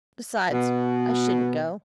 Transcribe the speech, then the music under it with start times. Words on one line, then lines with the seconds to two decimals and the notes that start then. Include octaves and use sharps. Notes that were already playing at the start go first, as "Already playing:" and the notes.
Besides, I shouldn't go.
0.52 B2